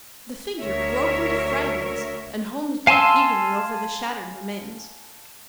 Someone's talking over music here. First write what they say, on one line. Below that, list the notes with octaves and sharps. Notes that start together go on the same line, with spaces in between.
The figure broke into fragments, and Holmes bent eagerly over the shattered remains.
D2 A#4 C#5 E5
F5 G#5 A5 C6 E6